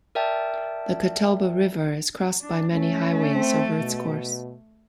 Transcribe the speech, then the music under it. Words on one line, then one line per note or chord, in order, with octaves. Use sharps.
The Catawba River is crossed by many highways over its course.
A#4 D5 E5 G5 A5
D4
A3 C#4
C4
B2